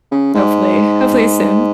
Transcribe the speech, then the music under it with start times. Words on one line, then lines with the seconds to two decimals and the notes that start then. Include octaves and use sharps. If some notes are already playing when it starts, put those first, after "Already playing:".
hopefully, hopefully soon.
0.11 C#3
0.34 G#2